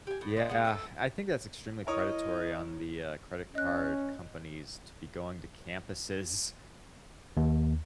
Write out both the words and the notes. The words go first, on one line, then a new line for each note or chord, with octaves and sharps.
Yeah, I think that's extremely predatory on the, uh, credit card companies to be going to campuses
G4 G#5
A2
D4 D#4 C5
G#3 B3
A4 E5 G5 A5
E4 A#4 C#5 D#5 D#6
C#4 D#5 F#6
D#2